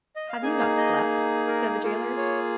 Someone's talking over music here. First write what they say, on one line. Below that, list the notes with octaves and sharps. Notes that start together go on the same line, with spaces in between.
"Have you not slept?" said the jailer.
D#5
F5
A#3 D#4 G#4 G#5
F5
D#5
A#4
A#3 F4 G#4
C#5